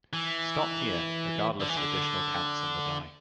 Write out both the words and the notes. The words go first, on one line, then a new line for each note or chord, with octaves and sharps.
Stop here, regardless of additional counts on the die.
E3
D3
E3
D3